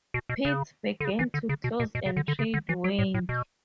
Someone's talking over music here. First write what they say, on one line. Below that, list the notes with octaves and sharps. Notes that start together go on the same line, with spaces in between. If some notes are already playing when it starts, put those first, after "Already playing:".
Pits began to close and trade waned.
B2
B2
C#3
D3
C#3
E3
D3
C#3
B2
B2
B2
C#3
D3
D3
C#3
D3
E3
F#3
A2
A2
B2